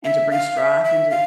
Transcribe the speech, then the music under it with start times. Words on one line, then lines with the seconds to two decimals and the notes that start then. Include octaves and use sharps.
and to bring strife into
0.04 E5
0.31 F5
0.57 E5
0.85 E5
1.11 F5